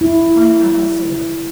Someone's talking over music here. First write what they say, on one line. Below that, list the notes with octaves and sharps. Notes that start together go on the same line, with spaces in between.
Pine Apple Syrup.
E4